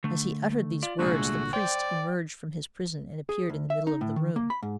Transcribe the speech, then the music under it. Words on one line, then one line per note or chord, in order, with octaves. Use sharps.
As he uttered these words the priest emerged from his prison and appeared in the middle of the room.
D3 A3
F4 D5
C2 A#2 D3 G#3 A3 F#4 G#4
C5 D5 G5
G#4
D2
E5
D#4
A2
D#3
A#3
B5
G#2